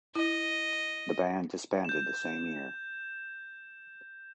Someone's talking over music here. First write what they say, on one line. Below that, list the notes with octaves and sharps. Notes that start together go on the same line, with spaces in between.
The band disbanded the same year.
E4 D#5
G6 E7